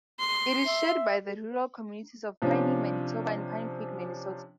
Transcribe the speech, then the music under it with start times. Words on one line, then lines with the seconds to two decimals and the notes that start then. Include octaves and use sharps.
It is shared by the rural communities of Piney, Manitoba and Pinecreek, Minnesota.
0.20 C6
0.65 E5
2.42 C3 F3 C#4 D4